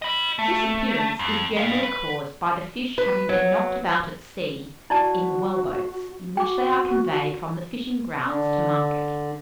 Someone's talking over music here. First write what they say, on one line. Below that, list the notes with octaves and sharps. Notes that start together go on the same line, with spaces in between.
This appearance is generally caused by the fish having been knocked about at sea, in the well-boats, in which they are conveyed from the fishing-grounds to market.
D#5 B5
A3
F2
G3 F5
B4
B4
F#3
E4 F#4 D5 A5
F#4 G5 D6
D3